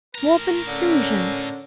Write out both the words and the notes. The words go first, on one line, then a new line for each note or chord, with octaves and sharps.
More confusion.
A2 A#4 A#5
D3 C#4